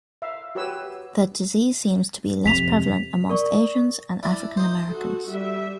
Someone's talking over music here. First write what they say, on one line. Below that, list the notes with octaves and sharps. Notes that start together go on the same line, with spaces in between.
The disease seems to be less prevalent amongst Asians and African-Americans.
E5 F5
F#4 G4 B4 C#5 E6
F2 C3 B6 F7
A#4 D5 C#6
D4 E4 D5
D#4 C5
F#4 A4
G3 E5